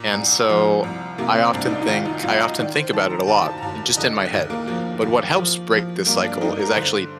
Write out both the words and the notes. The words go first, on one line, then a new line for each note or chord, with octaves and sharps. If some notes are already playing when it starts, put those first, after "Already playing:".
And so I often think I often think about it a lot, just in my head. But what helps break this cycle is actually
Already playing: A#2
C2
F3
C2
C3 A#3
C4
C2 D4
D#4
D4
D#4
D#3 F4
D#4
C2 F4
D#5
D#3 D5
C5
D#3 A5
A#5
D#2 A5
A5
A#5
D#2 A5
D3 D#5
D#2
A#3
F3 A#3
D#2
F3
F3
G2 A#3
D4
G2 D#4
A#4
D3 C5